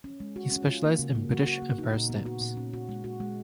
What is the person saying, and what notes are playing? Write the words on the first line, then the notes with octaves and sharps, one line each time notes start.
He specialised in British Empire stamps.
C#4
G#3
F#4
C#4
F4
A#3
C#3
A#3
F#4
F#4
A#3
D#4
A#2
B3
F#4
A#2
C#4
F#4
G#3
F#4
G#3